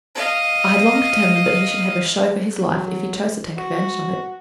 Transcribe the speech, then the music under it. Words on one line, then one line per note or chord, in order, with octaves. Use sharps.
I had long determined that he should have a show for his life if he chose to take advantage of it.
D#5 F5
F#3
F#4